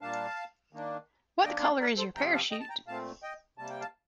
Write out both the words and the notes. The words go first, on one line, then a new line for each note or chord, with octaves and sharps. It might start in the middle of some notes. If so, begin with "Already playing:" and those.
What colour is your parachute?
A#2 G3 A#3 D4 F5 A5
D#3 A#3 D4
D#3 A#3 D4 D#5 G5
D5 F5
A#4 D5
A4 C5
C3 F3 C4 G5 A#5
F5 A5
D#5 G5
A5
G5 A#5
A#2 A3 C4 F5 A5
D#5 G5
C3 G3 A#3 A5
G5
F5 A5